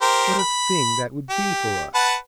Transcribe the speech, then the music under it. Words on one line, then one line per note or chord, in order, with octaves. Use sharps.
'What a thing that would be for us!'
G4 A#4 C5
B5
G4
B4 F#5 A5